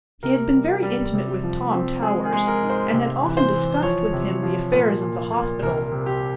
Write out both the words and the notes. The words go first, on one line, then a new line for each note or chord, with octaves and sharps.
He had been very intimate with Tom Towers, and had often discussed with him the affairs of the hospital.
C3 A#4
G3
G3
C3
F3
C4
G#3 G#4
G#4
G#3
A#4
G#2
C5
C3
E3
C5
E3
F3 C#5
C3
F3
A#2
A#2
A#2
C2 A#4
C3
G4